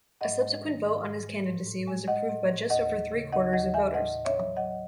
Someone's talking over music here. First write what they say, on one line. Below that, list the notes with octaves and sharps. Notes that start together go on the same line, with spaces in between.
A subsequent vote on his candidacy was approved by just over three-quarters of voters.
G#2 D#5 F#5
G#3
D#3
G#2
G#2
G#3
A2
A2
G#3
G#3 D#5 F#5
A2
A2
D#2 D#5 F#5
E3
C#3
D#2 D#5 F#5
D#2 D#5 F#5
E3 E5 G#5
A2 D#5 F#5
A2
C#5 E5
F#3
F#3 D#5 F#5